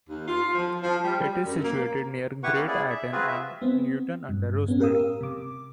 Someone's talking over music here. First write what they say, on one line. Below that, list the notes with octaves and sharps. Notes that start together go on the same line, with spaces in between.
It is situated near Great Ayton and Newton under Roseberry.
D#2
F4
F3
F3
G3
G3
F#2
A#3
E4 G4 B4 F#5 C#6
A#3 B3 C#4
E4 G#4 D5
E5
C4 F4 F#4 G#4 B4
E5
B3 C4
G2
A2 B3 C#4
G4 A#4 F5 D#6 E6
C3 D6